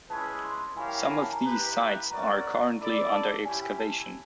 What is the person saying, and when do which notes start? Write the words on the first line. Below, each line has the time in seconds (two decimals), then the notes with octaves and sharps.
Some of these sites are currently under excavation.
0.10 G#3 C#4 E4 G#4 B4 A5
0.44 C6
0.76 E4 G4 A#4 C#5 F5 G#5
0.88 G5
1.00 G5
1.11 G#5
1.22 A5
1.33 A#5
1.44 E4 G4 B4 A#5
2.10 C#4 F#4 A#4 D5 A#5
2.79 E4 A4 D5
3.12 A5
3.45 C#4 E4 G4 G#5
3.78 A5